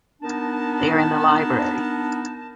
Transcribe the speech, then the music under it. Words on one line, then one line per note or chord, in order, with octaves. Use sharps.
They are in the library.
B3 D4 D#4 A#4 A5